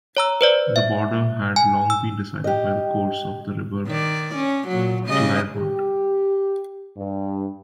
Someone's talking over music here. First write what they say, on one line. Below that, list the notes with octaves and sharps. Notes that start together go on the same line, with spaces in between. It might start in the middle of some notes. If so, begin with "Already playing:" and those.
Their border had long been decided by the course of the river Glyrhond.
C#5 A#5 E6
B4 C5 D5
E5
G#5
E6
G4 D#5
D#3 D5
C#4
A#2 F#3
C#3 G3 D#5
G4
G2